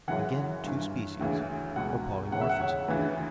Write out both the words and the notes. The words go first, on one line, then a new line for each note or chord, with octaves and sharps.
Again two species, or polymorphism.
F#2 C#3 E3 F#5
G2 E3
D2 C#3 E3
C#2 B2 F#5
C#2 C#3 E3 F#5
E5
F#5
C#5
D2 C#3 E3 B4